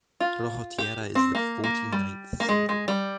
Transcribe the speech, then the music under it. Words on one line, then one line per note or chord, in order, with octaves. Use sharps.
Rojo Tierra is the forty ninth single.
F4
G4
C4
A#3
A#3
G3
A#3
G#3
G#3
G3